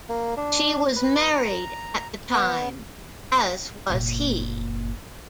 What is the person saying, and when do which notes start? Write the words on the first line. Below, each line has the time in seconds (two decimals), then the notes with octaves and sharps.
She was married at the time as was he.
0.09 A#3
0.37 D4
0.96 B4
1.33 A#5
2.33 B3
3.89 F#1 A#2